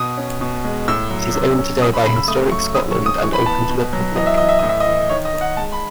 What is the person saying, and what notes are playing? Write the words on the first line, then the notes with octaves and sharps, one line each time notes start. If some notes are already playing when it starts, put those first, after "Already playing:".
It is owned today by Historic Scotland and open to the public.
Already playing: B2 B3 D#6
C#4
B2
G#3
A2 E6
F#3
C#4
C#4
F#3 D#6
B5
C#3 B5
E6
A3 D#6
F#3 C#6
C#4 D#6
C#6
C#4
D#6
E3 C#6
B5
B3 A5
B2
F#3
E3 D#5
E5
E3 D#5
E5
A2 D#5
E5
D#5
E3
D#3 C#5
D#5
D#3
F#5
G#3 A5
B5